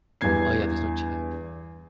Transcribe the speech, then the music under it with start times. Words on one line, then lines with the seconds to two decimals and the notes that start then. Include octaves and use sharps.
oh, yeah, there's no chat.
0.21 E2 G2 E3 G#6 C7